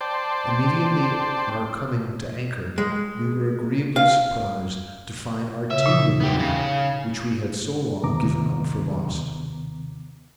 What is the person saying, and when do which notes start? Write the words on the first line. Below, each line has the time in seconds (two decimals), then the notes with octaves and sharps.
Immediately on our coming to anchor, we were agreeably surprised to find our tender here which we had so long given up for lost.
0.01 C5 D5 G5 A5
2.78 G#3
3.96 F5
5.71 C#3 E5
5.86 A#2 D#4
6.20 B3 G4
6.39 C#3
8.03 D#2 C3 D#3 B3 A#5 D6